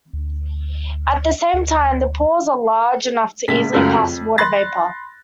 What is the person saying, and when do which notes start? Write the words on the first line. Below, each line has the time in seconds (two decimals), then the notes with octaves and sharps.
At the same time, the pores are large enough to easily pass water vapor.
0.13 D2
1.54 D2
3.48 A#1 A2 C#3 G#3 B6
3.73 C#2 F#2 A3
3.94 F2
4.38 B5 C6 F#6 A6 A#6